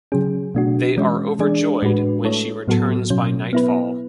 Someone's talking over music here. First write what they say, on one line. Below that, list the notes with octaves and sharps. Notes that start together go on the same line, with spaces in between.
They are overjoyed when she returns by nightfall.
C#3 F#3 C#4 G#4
B2 A3 D4 F#4
E3 G#3 C#4
E3 G#3 D4 G#4 D5
A2 G#3 D4 F#4 B4
A3 E4 A4 C#5
A2 F#3 B3 F#4 A4
B2 F#3 C#4
B3 E4 B4